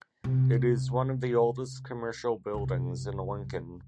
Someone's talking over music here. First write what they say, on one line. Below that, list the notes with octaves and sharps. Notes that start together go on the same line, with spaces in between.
It is "one of the oldest commercial buildings" in Lincoln.
C#2 C3
C2 F#2